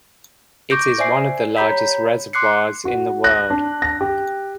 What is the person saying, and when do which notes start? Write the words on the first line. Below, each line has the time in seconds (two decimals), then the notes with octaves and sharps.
It is one of the largest reservoirs in the world.
0.70 C#6 D6 G6 A#6 D7
0.98 C5 D5 E5 G#5 C7
1.57 G4 C#5 A#5 B5 G6 B6
2.33 C6 D6 F#6 C7 C#7
2.85 F#4
3.24 F#6 A#6
3.50 D4
3.82 A#6
4.01 G4